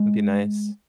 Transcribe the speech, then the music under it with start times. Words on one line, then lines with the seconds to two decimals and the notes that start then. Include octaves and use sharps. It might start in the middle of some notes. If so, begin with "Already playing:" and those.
It'd be nice.
Already playing: G#3